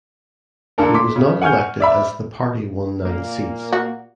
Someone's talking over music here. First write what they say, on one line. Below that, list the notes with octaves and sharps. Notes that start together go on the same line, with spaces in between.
He was not elected as the party won nine seats.
D3 A#3 D4 A4 A#4
C6 D6 B6
C#3
F#5 G#5 C#6 F6 G6
D5 E5 B5
A#2 A#3
F#4